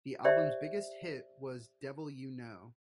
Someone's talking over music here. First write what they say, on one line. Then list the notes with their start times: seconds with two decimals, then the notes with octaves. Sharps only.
The album's biggest hit was 'Devil You Know.
0.24 G4 C5 D5 E5